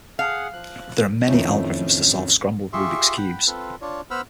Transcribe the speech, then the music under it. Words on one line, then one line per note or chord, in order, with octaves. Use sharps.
There are many algorithms to solve scrambled Rubik's Cubes.
G#4 F5 F#5
F3 F#6
F2 A2 D#3 F3 A3 C#4
F4 G4 G#4 E5 C6 C#6
F#5 G5 B5
C4 F4 A4 B4
D4 F4 C#5 D5
B3 C5 F#5 B5 E6 F6